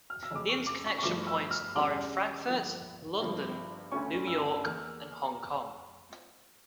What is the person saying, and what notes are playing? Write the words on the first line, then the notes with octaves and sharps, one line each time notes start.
The interconnection points are in Frankfurt, London, New York and Hong Kong.
F6
E6
F2 C#3 E3 A3 C#4 D6
C#6
D6
C#6
C#6
G1 G2 F3 A3 D6
E6
F6
E1 E2 E3 G3 C#4 D6
G1 G2 F3 A#3
G1 G2 F3
D2 D3 A3 C#4 C#6
E6
E2 E3 A#3 F6